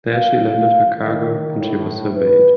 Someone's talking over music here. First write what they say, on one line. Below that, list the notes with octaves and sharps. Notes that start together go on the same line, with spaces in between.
There she landed her cargo and she was surveyed.
F5
D#3
A2
B4